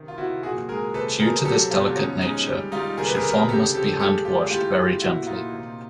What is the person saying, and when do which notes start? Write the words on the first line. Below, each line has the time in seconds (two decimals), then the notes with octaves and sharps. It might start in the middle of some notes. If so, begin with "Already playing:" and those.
Due to this delicate nature, chiffon must be hand washed very gently.
Already playing: C3 D#3
0.08 F4
0.18 C3 E4 F#4
0.43 A#2 F#4 G#4
0.69 G#3 G#4 A#4
0.94 C3 A4 B4
1.19 C3 G#4 A#4
1.45 F#3 G4 A4
1.70 B2 F4 G4
1.96 F3 C#4 D#4
2.21 G#3 C#4 D#4
2.47 G3
2.72 G3 D#4 F4
2.97 C3 G#4 A#4
3.07 B4
3.14 G#4 A#4
3.23 C3
3.31 G#4 A#4
3.49 C#3 G4 A4
3.74 F3 G4 A4
3.99 G#3 G4 A4
4.25 G#3 F4 G4
4.50 A2 F4 G4
4.76 A2
5.01 A#2 E4 F#4
5.26 A#2 D#4 F4
5.52 C3